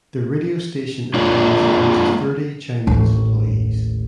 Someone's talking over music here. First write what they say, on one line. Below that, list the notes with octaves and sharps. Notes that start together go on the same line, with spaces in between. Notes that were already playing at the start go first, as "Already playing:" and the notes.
The radio station employs at least thirty Chinese employees.
G#3 A#3 D4 F4 C#5 D5
A1 D#2